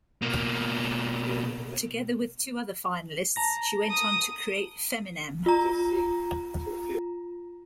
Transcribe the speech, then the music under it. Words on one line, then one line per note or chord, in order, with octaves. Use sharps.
Together with two other finalists, she went on to create Feminnem.
B2 A#3
A5 A#5 A#6
D#6
F4 A#5